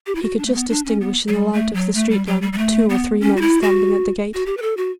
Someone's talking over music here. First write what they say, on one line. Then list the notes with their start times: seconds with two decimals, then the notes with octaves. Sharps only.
He could just distinguish in the light of the street lamp two or three men standing at the gate.
0.06 G4
0.15 E4
0.22 F#4
0.38 D4
0.46 A3
0.54 B3
0.69 D4
0.85 C#4
1.01 B3
1.28 F#3
1.32 G3
1.53 A3
1.74 F#3
1.95 A3
2.10 G3
2.26 F#3
2.42 G3
2.53 G3
2.58 A3
2.89 B3
3.21 C#4
3.36 F#4
3.41 E4
3.62 F#4
4.34 F#4
4.46 G4
4.57 B4
4.62 A4
4.77 F#4